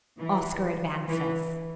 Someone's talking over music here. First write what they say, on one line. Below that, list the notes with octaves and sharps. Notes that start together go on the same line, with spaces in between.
Oscar advances.
E3
E3